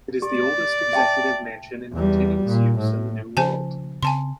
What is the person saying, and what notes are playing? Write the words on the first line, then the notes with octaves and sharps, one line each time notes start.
It is the oldest executive mansion in continuous use in the New World.
G4 D5
E5 G5 A5
E2 G3
A#2
A2
C#3 F3 C5 G#5 A5
C#3 C4 G#5 A5 C6